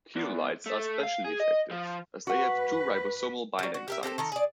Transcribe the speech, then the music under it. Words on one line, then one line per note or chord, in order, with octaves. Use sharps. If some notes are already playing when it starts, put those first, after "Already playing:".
Ketolides are especially effective, as they have two ribosomal binding sites.
E2
A3
F5
G#4
D#5
F3
F#4 B4 F#5
F#3 G3
F#4
G4 A#4 E5
C4 G4 A4 C5
D#3 A4 A#4
G#4 D5